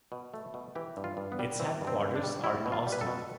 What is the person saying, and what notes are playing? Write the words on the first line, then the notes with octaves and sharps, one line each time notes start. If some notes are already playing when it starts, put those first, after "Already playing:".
Its headquarters are in Austin.
B2
A3
B2
E3 G4
G2
F4
G2
B3
G3
E3 C4
G2
C4
G2
D4
G3
G3 E4
B2
F4
G3
B4
A4
B2